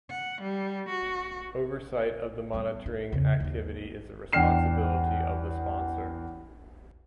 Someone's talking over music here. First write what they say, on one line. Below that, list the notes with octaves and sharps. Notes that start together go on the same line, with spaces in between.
Oversight of the monitoring activity is the responsibility of the sponsor.
F#5
G3
F#4
G3 B3
D#4
E2 C#3
D#2 D#4
E2 D4 G5 F6 C7 E7